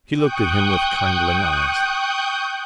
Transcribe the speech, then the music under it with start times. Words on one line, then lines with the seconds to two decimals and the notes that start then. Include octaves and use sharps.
She looked at him with kindling eyes.
0.14 G5 C#6 D#6 F#6 G6